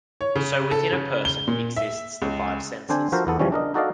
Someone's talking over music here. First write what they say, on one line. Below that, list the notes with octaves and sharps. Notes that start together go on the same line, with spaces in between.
So within a person exists the five senses.
C#5
C#3
A4
C#3
G7
A#2
E5
C#2
D3 C4 D4 C5 G#5
F3 F#4 A4 A#4 C5
E2 B3 A4
C#3 E3 F3 G3 C#4
D4 A#4 D#5
D#4 F#4 A4 D5 D#5 F5